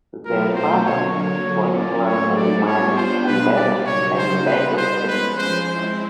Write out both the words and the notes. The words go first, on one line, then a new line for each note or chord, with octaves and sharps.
Their father was employed as a miner and later as a baker's assistant.
B2 F#3 A3 C4 F4 A#4
C5
D3 F#3 A#3 C#5
C#5
F#3 A#3 C#4
D5
A2 F#3 A3 C4 C#5
D5
G3 B3 D4 F4 C#5
C5
B2 G3 A#3 B4
D5
C#3 F#3 A#3 D#4 C#5
C5
G3 B3 D#4 B4
C5
F3 G#3 C#4 B4
C5
G#3 C4 E4 C5